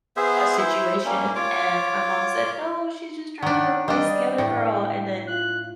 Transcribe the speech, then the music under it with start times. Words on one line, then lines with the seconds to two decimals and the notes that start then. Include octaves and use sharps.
"a situation." And my mom said, "No, she's just trying to replace the other girl." And then
0.17 B3 G#4 C5 E5
0.59 E4 C5 E5
1.05 G3 A#3 C#4
1.35 F4 C#5 D6
3.42 D#3 D4 D5 F#5
3.88 G3 D4 D#5
4.38 A2 G5
5.27 F4 F#6